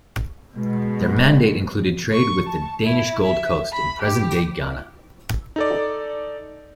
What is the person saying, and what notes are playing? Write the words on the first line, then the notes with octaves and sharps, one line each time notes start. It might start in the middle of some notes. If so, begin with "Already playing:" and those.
Their mandate included trade with the Danish Gold Coast in present-day Ghana.
B2 G#3
C#6
A5
E4
E5
B5
G4
D#4 A4 D5